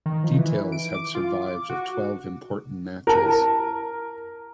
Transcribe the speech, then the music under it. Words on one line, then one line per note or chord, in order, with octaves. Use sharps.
Details have survived of twelve important matches.
D#3
F3
E3
D7
D6
F4
D6
F#4
E4 A#4 A5